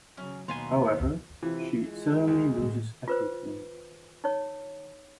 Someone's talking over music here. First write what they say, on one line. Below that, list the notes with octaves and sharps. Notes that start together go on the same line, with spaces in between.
However, she suddenly loses everything.
C#3 F#3 C#4
D#2 B2 B3 F5 G#5 A#5 C6
C3 E3 E4 F4
G#3
D2
A2 A#3
F4 B4 C5
D#4 C#5